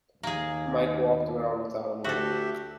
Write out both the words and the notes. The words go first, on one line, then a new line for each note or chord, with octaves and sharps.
Mike walked away without a word.
D#2 A#3 G#4
D2 F#4 G4 A4 E5